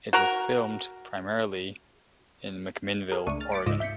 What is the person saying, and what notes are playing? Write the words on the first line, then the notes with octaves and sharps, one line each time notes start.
It was filmed primarily in McMinnville, Oregon.
F#4 A#4
G#4 A#4
C#2 A3 D4 C#6 D#7
F6 A6
D6 A6 B6 C#7 D7
C#2 G#2 F4 D#5 D6 E6
E5 G6 B6 C#7